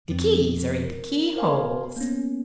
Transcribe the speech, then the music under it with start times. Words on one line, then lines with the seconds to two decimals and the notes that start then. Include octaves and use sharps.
The keys are in the keyholes.
0.09 F2 F3 C4
0.84 A#4
1.36 A#4 C5 F5 G#5 C6
1.96 A#3 B3 C#4